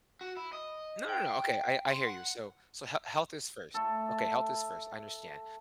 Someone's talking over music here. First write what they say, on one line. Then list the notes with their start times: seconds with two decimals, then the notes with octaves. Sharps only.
No, no, no. Okay, I I hear you. So so he health is first. Okay, health is first, I understand.
0.21 F#4
0.37 E4
0.53 D#5
1.09 G5
1.88 C6
2.07 F#5
3.74 A3 A4